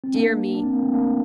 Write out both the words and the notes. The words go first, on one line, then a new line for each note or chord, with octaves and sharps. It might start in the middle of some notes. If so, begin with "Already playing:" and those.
Dear me!
C4
A#3 D4
D4
C4
A#3
A3 C4
A#3 D4